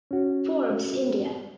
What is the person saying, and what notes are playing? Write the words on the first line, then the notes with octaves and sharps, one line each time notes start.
Forbes India.
C#4 F#4